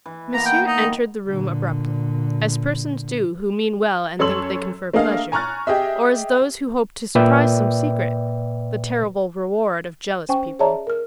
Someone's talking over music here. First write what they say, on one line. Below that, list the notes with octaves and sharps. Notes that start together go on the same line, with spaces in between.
Monsieur entered the room abruptly, as persons do who mean well and think they confer pleasure, or as those who hope to surprise some secret, the terrible reward of jealous people.
E3
A#3 B3 A#5
G5
D#4
D#3
A#2 D3
F#2 A4 C#5 C6 E6 F#7
A3 A#3 D4 G#4 D#5 F5
G#5 A#5 C#6 F6 F#6 A6
G4 G#4 D#5 E5
A#2 B4 D5 E5 G5
C#4 C5 G5 G#5 C#6
G#4 C#5 D5 E5 A5 A#5
A#4 F6